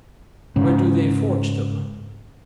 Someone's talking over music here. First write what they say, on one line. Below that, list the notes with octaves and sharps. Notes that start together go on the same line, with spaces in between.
Where do they forge them?
G#2 C#3